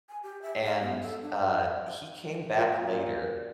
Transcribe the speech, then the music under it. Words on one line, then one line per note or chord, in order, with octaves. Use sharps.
And, uh, he came back later
G#5
G4
E5
F5
B3
A4
D4
A#2